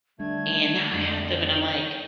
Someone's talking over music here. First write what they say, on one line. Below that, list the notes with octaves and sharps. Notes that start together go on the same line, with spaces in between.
and now I have them, and I'm like,
D3 G3 A3 D4 G#6
F2 G6